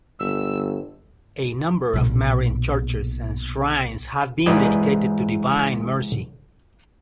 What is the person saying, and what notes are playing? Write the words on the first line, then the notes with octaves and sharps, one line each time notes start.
A number of Marian churches and shrines have been dedicated to Divine Mercy.
G1 E6
B1 A#2
G#2 E3 B4 D5 D#5 G#5